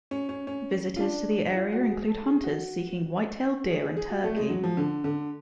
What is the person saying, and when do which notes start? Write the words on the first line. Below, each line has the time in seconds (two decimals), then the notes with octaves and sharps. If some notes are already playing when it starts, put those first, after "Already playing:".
Visitors to the area include hunters seeking whitetail deer and turkey.
0.11 C#4
0.29 C#4
0.47 C#4
0.96 F4
1.01 D4
1.54 F4
1.73 F#4
1.90 G#4
2.08 A4
2.26 G#4
2.44 F#4
3.69 G#4
3.83 G#4
3.97 G#4
4.10 F#4
4.24 A3
4.36 G#3
4.50 F#3
4.64 F3
4.77 D3
5.04 D3